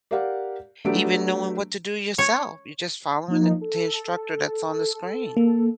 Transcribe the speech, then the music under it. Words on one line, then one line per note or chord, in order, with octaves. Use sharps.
even knowing what to do yourself. You're just following the t instructor that's on the screen.
G4 A#4 D5 F5 F#5
F#3 A3 B3 D4 G4 D7
C#5
F3 A#3 D#4
A4
A#3